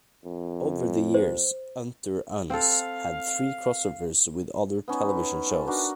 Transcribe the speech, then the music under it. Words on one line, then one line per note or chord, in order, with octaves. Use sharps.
Over the years, "Unter Uns" had three crossovers with other television shows.
F2
C5
C4 A4 F5
B3 C#4 D#4
B3
A5
D4 F#4 A#4